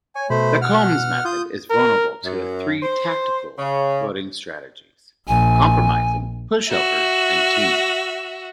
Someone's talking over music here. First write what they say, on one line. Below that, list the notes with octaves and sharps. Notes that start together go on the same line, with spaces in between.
The Coombs' method is vulnerable to three tactical voting strategies: compromising, push-over, and teaming.
C#5 G#5
B2 A3 C5 B5
F#5 F6
F4 D#6 G6
A#4
F#2
C5
C#3
A#1 G#5
F#4 E5